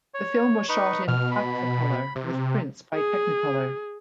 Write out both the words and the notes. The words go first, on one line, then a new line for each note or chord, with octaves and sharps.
The film was shot in Agfacolor with prints by Technicolor.
C#5
D#4 B4 C#6
B2 F6
B5
C3
G#4